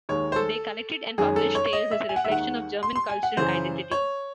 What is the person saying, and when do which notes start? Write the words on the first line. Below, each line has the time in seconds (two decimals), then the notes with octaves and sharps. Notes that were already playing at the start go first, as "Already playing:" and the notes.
They collected and published tales as a reflection of German cultural identity.
0.09 D#2 D#3 G#3 C#5
0.32 C5
0.36 A4
1.18 F#2 D#3 G#3 G#4
1.36 A4
1.55 C#5
1.73 D#5
1.91 E5
2.09 G#5
2.16 F#5
2.25 E5
2.27 D#2 D#3 G#3 F#5
2.83 C6
2.96 C6
3.10 G#5
3.23 F#5
3.37 F#2 C#3 E3 C5
3.91 C#5